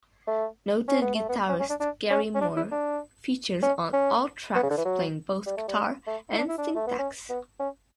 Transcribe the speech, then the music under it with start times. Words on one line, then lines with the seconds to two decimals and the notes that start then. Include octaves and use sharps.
Noted guitarist Gary Moore features on all tracks playing both guitar and synthaxe.
0.27 A3
0.88 C#4
1.02 B3
1.15 A3
1.29 B3
1.49 C#4
1.60 C#4
1.70 D4
1.80 D4
2.11 C#4
2.35 C#4
2.41 D4
2.57 E4
2.72 D4
3.63 C#4
3.93 C#4
4.55 B3
4.63 C#3
4.70 D3
4.78 E3
4.85 F#3
5.46 G3
5.57 A3
5.68 G3
6.07 A3
6.33 E4
6.38 D4
6.48 E4
6.58 D4
6.76 A3
6.87 B3
6.99 C#4
7.30 B3
7.60 C#4